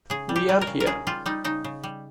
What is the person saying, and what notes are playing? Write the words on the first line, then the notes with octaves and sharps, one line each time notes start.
We are here.
C#3 G#4
G3
G4
G3
A#4
C#3
A#4
C#3 G#4
G3 F4
G3 D#4
C#3 D#4
C#3
G3